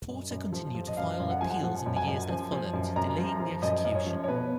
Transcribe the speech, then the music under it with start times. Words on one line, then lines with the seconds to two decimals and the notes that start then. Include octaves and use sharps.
Porter continued to file appeals in the years that followed, delaying the execution.
0.09 F#2
0.30 F#2
0.53 F3
0.75 F3
0.87 D#5
0.97 F#2 F5
1.20 F#2
1.30 F#5
1.41 F3 G#5
1.50 F#5
1.63 F3 F#5
1.86 F#2
1.96 G#5
2.07 F#2
2.29 F3
2.52 F3
2.73 F#2
2.96 F#2 A#5
3.18 F3
3.29 A#5
3.40 F3
3.62 F#2 D#5
3.85 F#2
3.95 C#5
4.06 F3
4.24 C#5
4.28 B2 B4